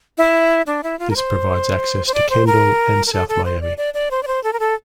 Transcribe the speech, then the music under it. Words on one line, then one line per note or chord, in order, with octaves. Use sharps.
This provides access to Kendall and South Miami.
E4
D4
E4
F4
A#4
C5
C5
D5
C5
A#4
A#4
A4
A4
C5
D5
D5
D5
C5
D5
C5
A4
A#4
A4